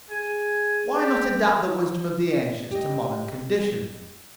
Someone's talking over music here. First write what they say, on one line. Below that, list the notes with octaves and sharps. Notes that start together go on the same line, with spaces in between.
Why not adapt the wisdom of the ancients to modern conditions?
G#4 G#5
G4
G4 D#5